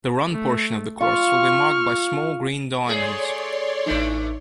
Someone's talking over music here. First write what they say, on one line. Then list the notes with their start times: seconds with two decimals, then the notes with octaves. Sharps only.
The run portion of the course will be marked by Small Green Diamonds.
0.32 A3
1.01 F4 C#6 F6
2.86 A3 G#4 C#5 D5 C6
3.86 A1 E3 A3 D4 D#4